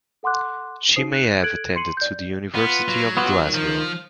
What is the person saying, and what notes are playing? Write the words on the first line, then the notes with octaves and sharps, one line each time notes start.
She may have attended the University of Glasgow.
A4 F#5 C6 D6 F#6
D#4 F#4 C5 D#6 C7
F#6 C#7
A4 F#6 G#6 D7 F#7
C6 C7 C#7 D#7 F#7
D5 G6
B3 F4 B4
F#3
B3 F4 F#4
D#3
F3